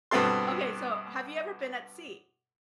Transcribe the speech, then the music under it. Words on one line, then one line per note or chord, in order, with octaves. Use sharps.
Okay, so have you ever been at sea?
G2 B2 B3 C4 A4 C6